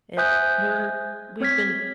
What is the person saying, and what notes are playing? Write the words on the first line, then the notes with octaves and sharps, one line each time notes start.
it we're we've been f
C5 E5 G#5 D#6 F#6 G6
C4 C#5 F6 G#6 B6